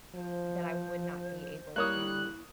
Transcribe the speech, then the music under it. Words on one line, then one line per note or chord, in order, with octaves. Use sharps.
that I would not be able to
F3 C5
G3 A#3 E4 C#5 D#6 F#6